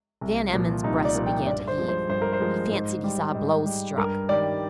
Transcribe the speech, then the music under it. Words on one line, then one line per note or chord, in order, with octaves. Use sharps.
Van Emmon's breast began to heave; he fancied he saw blows struck.
C2
A#2 F3
C2 D#4
D5
A#2 F3
G5
G2 D5
C5
F3 G#3
C5
G2 C5
A#4
C5
F3 G#3
G#2
G3
G#2
G3
G2 A#4
D#3 G3 D5